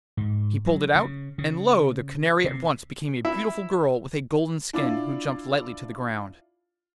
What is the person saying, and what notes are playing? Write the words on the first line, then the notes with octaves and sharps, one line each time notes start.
He pulled it out, and lo! the Canary at once became a beautiful girl with a golden skin who jumped lightly to the ground.
G#2
F#3
C#3
C#3
C3
E4
D4 E4 F4 D5 F5